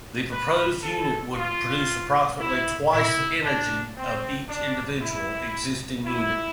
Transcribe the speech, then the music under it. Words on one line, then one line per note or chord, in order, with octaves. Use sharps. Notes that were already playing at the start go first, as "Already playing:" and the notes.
The proposed unit would produce approximately twice the energy of each individual existing unit.
B4
A4
F4
E4
E4
D4
C4
D4
E4
E4